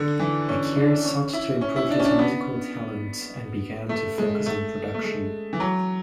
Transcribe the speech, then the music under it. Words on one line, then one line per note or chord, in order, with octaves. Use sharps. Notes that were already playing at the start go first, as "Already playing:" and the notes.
Akir sought to improve his musical talent and began to focus on production.
Already playing: D3
E3
C#4
D4
C#4
E4
C#4
E4
D4
C#4
D4
B3
A3
G#3
A3
A3
G#3
E3
F#3